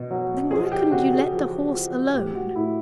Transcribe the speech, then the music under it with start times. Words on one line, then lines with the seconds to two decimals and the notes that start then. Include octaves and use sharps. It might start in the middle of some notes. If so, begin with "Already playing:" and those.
"Then why couldn't you let the horse alone?"
Already playing: B2
0.11 F#3
0.51 F3 G#4
0.72 G4
0.92 C#3 F#4
1.13 G#4
1.33 F3 G#4
1.74 F3
2.14 A2 G4
2.35 F#4
2.55 A2 E4